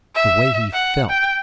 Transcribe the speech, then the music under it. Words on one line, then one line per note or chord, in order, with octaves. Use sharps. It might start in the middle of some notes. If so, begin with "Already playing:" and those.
The way he felt.
E5
F#5
G5